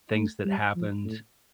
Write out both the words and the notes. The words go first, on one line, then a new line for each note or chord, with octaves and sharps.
things that happened.
A3
G3
F3
A2